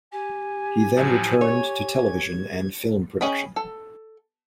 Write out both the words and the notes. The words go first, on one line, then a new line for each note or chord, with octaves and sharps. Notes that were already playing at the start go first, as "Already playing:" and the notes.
He then returned to television and film production.
G4 G#5
A2 F3 F#3
C#5 G#6
C#4 G#4 D#5 G5 B5
A4